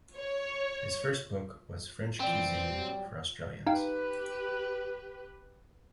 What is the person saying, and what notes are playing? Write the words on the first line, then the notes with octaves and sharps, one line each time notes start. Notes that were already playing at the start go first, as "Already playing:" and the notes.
His first book was "French Cuisine for Australians".
C#5
A#2 E3 F3 C4 D5 G5
F#3 G3
D#4 G4 B4 F5 G5